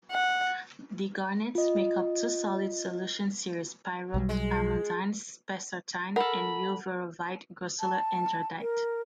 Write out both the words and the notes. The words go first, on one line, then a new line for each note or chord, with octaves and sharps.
The garnets make up two solid solution series: pyrope-almandine-spessartine and uvarovite-grossular-andradite.
F#5
F4 D#5
B1 F#3 G3
G#3
A4 A#4 F#5 B5
A5
A#4